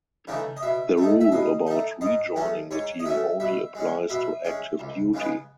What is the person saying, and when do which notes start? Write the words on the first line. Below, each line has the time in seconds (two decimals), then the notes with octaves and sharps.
The rule about rejoining the team only applies to active duty.
0.27 C#3 E3 A3 D#4
0.57 D#5
0.63 B2 E5
0.97 A3 D#4
1.21 E5
1.32 B2 D#5
1.67 A3 D#4
2.01 G#2 D#5
2.36 F#3 A3 C#4
2.71 G#2 C#5
2.99 D#5
3.05 F#3 A3 C#4 E5
3.40 B2 E5
3.75 G#3 C#4
4.10 B2 E5
4.45 G#3 C#4
4.79 C#2
5.14 C#3 G#3 B3